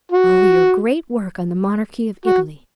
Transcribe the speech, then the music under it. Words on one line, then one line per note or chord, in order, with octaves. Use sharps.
"Oh, your great work on the monarchy of Italy!"
F#4
F#4